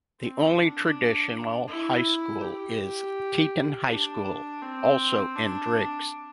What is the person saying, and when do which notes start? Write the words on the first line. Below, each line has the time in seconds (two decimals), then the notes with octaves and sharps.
The only traditional high school is Teton High School, also in Driggs.
0.20 C4
0.58 D4
1.68 E4
2.41 G4
3.88 D4
4.62 C4
5.36 D4